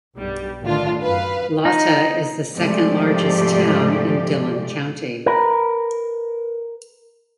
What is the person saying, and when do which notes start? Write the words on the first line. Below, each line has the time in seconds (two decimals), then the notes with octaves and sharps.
Latta is the second largest town in Dillon County.
0.14 B1 G2 G3
0.63 A2 D3 D#3 D4 F4
1.01 F#2 B4 F5
1.65 D#4
2.55 G#2 C3 F3 A3 G4 D5
5.26 A#4 B4